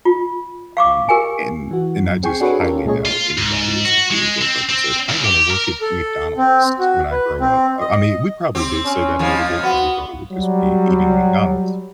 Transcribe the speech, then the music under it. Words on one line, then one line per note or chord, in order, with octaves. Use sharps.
Um, and and I just highly doubt anybody as a kid woke up and said, "I wanna work at McDonald's when I grow up," I I mean, we probably did say that a little bit 'cause we thought it would just be eating McDonald's,
F4
F5 C#6 D6
G4 A#4 G5 G#5
E3 F#4
F#2
C4 G#4 G5 G#5 C#6 C7
D4 F#4 G#4 A4 B4 C#5
C#4 F4 G4 A4 A#4
A#2 G#3 A3 G#4 C#5
F4
G#2
F#4
G#3
C4
C4
C#2
G4
A#4
A4
C4
F#4
B4
C4
D#5
C4 G4
C#4
F2 F3
B3 F#4
F#3 G3